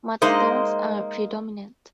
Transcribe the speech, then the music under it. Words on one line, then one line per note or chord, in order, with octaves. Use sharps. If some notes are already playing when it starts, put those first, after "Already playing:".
Mudstones are predominant.
G#3 A#3 D#4 C5 D#5